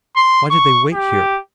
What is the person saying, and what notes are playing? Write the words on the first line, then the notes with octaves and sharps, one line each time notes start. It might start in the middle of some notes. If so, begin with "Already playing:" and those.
Why did they wait here?
C6
C#6
G4